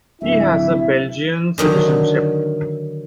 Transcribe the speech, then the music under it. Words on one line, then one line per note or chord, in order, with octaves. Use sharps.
He has a Belgian citizenship.
D1 E4 E5
D3 D#3 F#3